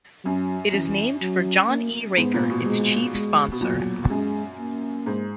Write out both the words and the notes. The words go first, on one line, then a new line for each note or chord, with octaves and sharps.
It is named for John E. Raker, its chief sponsor.
F#2 F#3
F#2 E3
F#3
A#3
G#2 B3
A#2
B2
G#3
G#3
B2
A#2 F#3
F#2 G#3
A#3
G#2